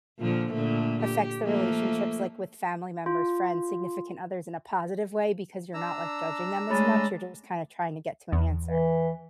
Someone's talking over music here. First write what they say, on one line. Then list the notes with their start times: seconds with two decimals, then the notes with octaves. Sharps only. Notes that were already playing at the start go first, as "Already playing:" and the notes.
affects the relationships, like, with family members, friends, significant others in a positive way because you're not, like, judging them as much, you're just kinda trying to get to an answer.
0.19 A#2 D3 F3
0.53 A#2 D3 A3
1.02 G4
1.42 F3 A3 A#3
3.06 F4
5.74 D4 A#5 E6
6.70 G#3 A3 C#5 B5 A6
8.32 E2
8.65 E3